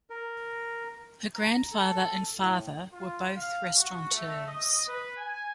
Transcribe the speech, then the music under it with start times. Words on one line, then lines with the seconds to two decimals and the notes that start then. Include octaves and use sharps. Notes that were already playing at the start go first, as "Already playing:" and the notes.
Her grandfather and father were both restaurateurs.
0.10 A#4
1.35 A#5
1.72 A4
2.36 A2
2.91 F4
3.36 F5
3.76 F#4
4.11 A3
4.46 D#5
4.87 B4
5.18 G#5